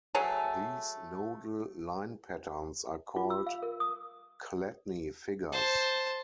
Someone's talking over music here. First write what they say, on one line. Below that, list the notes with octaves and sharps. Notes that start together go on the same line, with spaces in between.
These nodal line patterns are called Chladni figures.
F#3 A3 G#4 C#5
F4
E6
F5
A#4
D#6
C5 A5